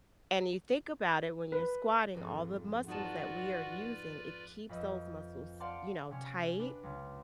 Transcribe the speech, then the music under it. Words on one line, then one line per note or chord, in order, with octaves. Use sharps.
And you think about it when you're squatting, all the muscles that we are using, it keeps those muscles, you know, tight
B4
F2 G#2
D#4 F4 F#4 G#4 B4 D5 A5
F2 B4 D#5 E5
D5 F5 F#5 A5 C6 D6
C3 C#4
D4 B4
C#2